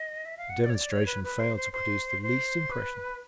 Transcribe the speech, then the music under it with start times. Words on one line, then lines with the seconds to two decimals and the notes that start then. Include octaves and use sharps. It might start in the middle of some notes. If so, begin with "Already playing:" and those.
The demonstration failed to produce the least impression.
Already playing: D#5
0.25 E5
0.38 F5
0.50 F#5
0.62 D5
0.70 C#5
0.74 D5
0.91 C#5
1.06 B4
1.24 B4
1.40 C5
1.57 C5
1.73 C5
2.22 C5
2.71 B4